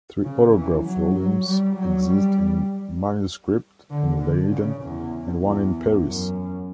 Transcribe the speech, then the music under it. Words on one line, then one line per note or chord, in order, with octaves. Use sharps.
Three autograph volumes exist in manuscript in Leiden and one in Paris.
C#3
E3
F#3
F#3
G3
F#3
G3
D3
D3
C#3
E2
E2
F#2